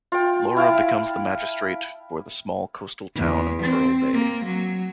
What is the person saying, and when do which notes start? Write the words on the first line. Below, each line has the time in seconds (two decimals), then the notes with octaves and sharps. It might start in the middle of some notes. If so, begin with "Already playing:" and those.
Laura becomes the magistrate for the small coastal town of Pearl Bay.
0.12 F4 G5
0.57 E4 F5 G5 A5
3.15 E2
3.62 C4
4.13 A#3
4.45 F#3